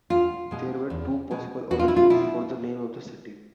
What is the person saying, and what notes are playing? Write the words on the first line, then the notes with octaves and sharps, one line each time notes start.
There are two possible origins for the name of the city.
E2 F4
B2 G#3
E2
B2 G#3
E2 F#4
F4
E4
F4
B2 E4